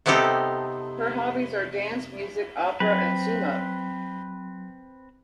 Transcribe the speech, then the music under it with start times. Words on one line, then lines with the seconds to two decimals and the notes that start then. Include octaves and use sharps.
Her hobbies are dance, music, opera, and sumo.
0.06 C3 B3 C4 D#4 G4 A4
2.80 F#3 C4 B4